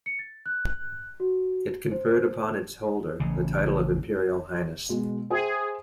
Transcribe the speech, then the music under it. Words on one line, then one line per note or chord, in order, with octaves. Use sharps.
It conferred upon its holder the title of "Imperial Highness".
C#7
A6
F#6
F#4
C5
A1 C#3
B2 G#3
G#4 C5 E5 G5